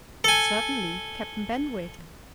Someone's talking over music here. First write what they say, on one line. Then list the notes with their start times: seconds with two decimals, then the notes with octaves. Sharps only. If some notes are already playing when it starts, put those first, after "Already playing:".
"Certainly: Captain Benwick."
0.24 A4 G#5